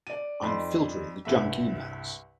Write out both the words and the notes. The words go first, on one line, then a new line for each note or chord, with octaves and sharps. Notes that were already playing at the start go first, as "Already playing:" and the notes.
I'm filtering the junk emails.
D5 D#7
F2 D#4 D5 B5 C6
C2 G2 E5